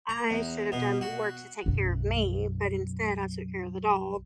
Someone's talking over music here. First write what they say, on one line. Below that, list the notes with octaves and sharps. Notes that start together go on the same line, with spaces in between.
I should have done more to take care of me, but instead I took care of the dog,
A#5
E2
B2
F#4
B1 F#2